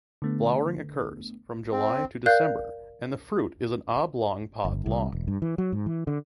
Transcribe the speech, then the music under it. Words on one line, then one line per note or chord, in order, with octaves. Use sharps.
Flowering occurs from July to December and the fruit is an oblong pod long.
D3 A3 B3
C4
A#4 D5 F5 F#6 G6
G1
C2
E1
G2
E3
F#3
G#2
E3
D3